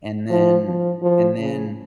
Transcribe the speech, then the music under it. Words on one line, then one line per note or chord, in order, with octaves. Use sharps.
and then and then
F3
F3
F3
C#3